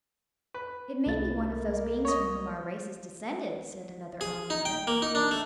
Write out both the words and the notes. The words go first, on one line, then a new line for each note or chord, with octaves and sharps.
"It may be one of those beings from whom our race is descended," said another onlooker.
B4
C2 A3 A6
A#3
C#5 D#5
G#4
D#4
G5
A#3
D#4
D4
A3